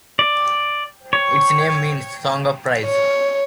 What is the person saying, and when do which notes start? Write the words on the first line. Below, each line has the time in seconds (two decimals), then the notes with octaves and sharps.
Its name means 'Song of Praise'.
0.19 D5
1.13 C#5
2.85 C#5